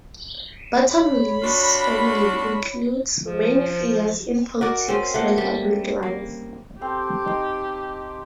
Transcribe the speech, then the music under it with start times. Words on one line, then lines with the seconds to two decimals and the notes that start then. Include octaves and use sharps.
Bottomley's family includes many figures in politics and public life.
0.84 C#5 B5
1.41 D4 F4 F#4
3.23 F3
4.61 F#4 A#4 D5
4.88 C4 C#4
5.14 A3 A#3 F#5
5.38 G3
6.03 A#3
6.81 C4 G4 A4 C5
7.26 D#4 C5 A#5